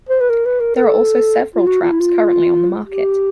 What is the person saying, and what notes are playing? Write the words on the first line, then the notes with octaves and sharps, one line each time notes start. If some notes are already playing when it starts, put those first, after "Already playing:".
There are also several traps currently on the market.
C5
B4
A#4
B4
A#4
A#4
A4
F4
F#4
F4
E4
F4
G4